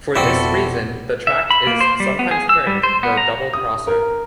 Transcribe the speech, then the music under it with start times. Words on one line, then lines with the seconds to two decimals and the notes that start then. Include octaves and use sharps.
For this reason the tract is sometimes termed the double-crosser.
0.15 F2 B2 C4 E4 F#4 A4 D5
1.27 E5
1.51 B5
1.67 A#3
1.81 C5
2.00 G3
2.19 B3
2.31 G#4
2.49 E6
2.67 G3
2.83 C5
3.03 B3
3.17 A#5
3.53 D#6
3.87 A#4